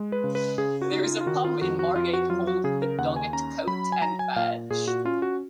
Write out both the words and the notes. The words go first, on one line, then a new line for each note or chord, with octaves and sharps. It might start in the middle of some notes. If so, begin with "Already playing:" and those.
There is a pub in Margate named "The Doggett Coat and Badge".
Already playing: G#3
B4
C#3
B4
C#3 G#4
F#4
D#4
F4
F4
D#3 F#4
F4
F2 F#4
F#4
F2 F4
F#4
F#3 F4
F#4
C#3 G#4
A#4
D#2 F#5
G#5
C#4 A#5
F#3 B5
G#5
F#3 A#5
G#5
A#2 F5
A#2 G#4
F#4
C#4 F4
F#4